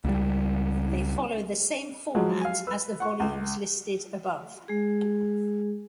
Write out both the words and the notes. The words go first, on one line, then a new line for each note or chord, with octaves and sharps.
They follow the same format as the volumes listed above.
C#2 G3
F3 F#3 G#3
F5 G#5
B4 E6
F#5 C#6
C#2
G#3 G#4